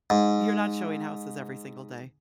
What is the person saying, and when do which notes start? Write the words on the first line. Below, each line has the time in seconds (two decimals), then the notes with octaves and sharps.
You're not showing houses every single day.
0.10 G#2